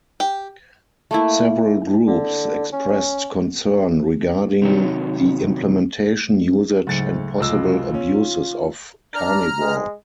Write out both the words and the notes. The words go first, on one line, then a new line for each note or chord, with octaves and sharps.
Several groups expressed concern regarding the implementation, usage, and possible abuses of Carnivore.
G4
A3 A#3 E4
D3
C#4
C3 D#3 F#3
D2 G#2 C#3 F#3 A6 C#7
F1 C#2 F4 E6
C#4
D4 A#5 F6
G#3